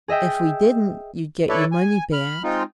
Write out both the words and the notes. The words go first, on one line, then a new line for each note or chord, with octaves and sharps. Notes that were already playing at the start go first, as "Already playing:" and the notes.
"If we didn't you'd get your money back."
G#4 D#5 E5 G5
E4 A4 B4 C#5 D5 E5
G#5
B5 F6
G#3 C4 D#4 F4